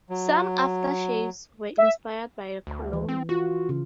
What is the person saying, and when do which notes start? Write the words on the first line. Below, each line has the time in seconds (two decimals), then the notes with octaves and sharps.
Some aftershaves were inspired by a cologne.
0.10 F#3
1.78 E5
2.67 D2
2.93 E3
3.09 C4
3.29 F4 F#4
3.69 C#3